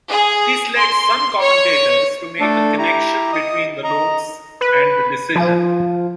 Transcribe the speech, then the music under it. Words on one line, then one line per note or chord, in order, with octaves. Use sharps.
This led some commentators to make a connection between the loans and the decision.
G#4
C6
C#5
A3 D4 A4
E4 G4 A#5
D#5 D#6
D#5 A#5
B4
F3